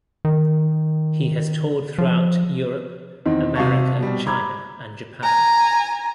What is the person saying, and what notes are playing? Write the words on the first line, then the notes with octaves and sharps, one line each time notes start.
He has toured throughout Europe, America, China and Japan.
D#3
F3
E2 D#3 C4 D#4
C3 F#4 F5 A5 C#6
B2 G3
A#5 B5 D6 G#6
G#5 A#5